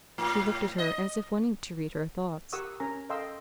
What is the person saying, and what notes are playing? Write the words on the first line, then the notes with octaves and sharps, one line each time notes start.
He looked at her, as if wanting to read her thoughts.
A2
D#5
G4 A#4 F#5 C#6 D#6 E6
C#4 A#4 G#5 A#5
A4 D#5 F5 G5 C6 E6